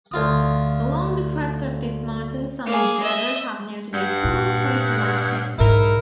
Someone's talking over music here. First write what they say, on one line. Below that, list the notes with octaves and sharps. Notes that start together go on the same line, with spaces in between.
Along the crest of this mountain some observers have noted a small, crater-like pit.
D2 F4 D#6
A#3 G#4
D#5 E5
G2 F#5
A#2
B1 G#2 D#4 E4 A#4